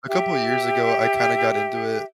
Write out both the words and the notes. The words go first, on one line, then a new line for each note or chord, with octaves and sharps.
a couple years ago, I kinda got into it
G4 E5